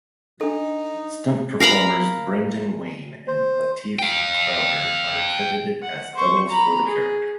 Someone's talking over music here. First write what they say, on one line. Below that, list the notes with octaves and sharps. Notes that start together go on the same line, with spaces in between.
Stunt performers Brendan Wayne and Lateef Crowder are credited as doubles for the character.
D4 D#4 A4
A#4 F5 A#5 B5
C5
F5 G5
F#5
C5 C#6
A#5 B5
G#4